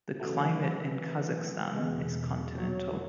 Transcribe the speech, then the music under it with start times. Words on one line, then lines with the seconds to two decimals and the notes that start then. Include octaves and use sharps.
The Climate in Kazakhstan is continental.
0.19 C#3 E3 F#3 A3
1.76 E2 B2 G#3
2.56 F#3